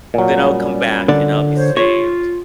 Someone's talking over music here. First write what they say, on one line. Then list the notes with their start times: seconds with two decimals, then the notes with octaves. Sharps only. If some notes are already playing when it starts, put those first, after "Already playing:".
then I'll come back and I'll be saved.
0.14 A#2 F#3
0.31 G3 C#4
1.08 D3 D5
1.55 C5 C#5
1.77 F4 C#5